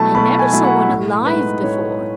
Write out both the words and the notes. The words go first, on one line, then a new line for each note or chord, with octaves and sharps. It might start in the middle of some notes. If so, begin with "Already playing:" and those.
I never saw one alive before!'
Already playing: B2 F#3 A3 E4 A5
B2 B5
G#5
F#3 A3 E4
F#5
A2
G#3 B3 D#4 B4
A2 C#5